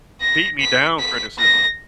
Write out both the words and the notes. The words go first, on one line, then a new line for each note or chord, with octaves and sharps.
beat-me-down criticism.
A#6
B6
B6
A#6